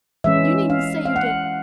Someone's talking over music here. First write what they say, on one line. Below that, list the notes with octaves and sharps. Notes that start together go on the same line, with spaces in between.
You needn't say you did.
E3 G#3 C#4 E5
F5
F5
F#5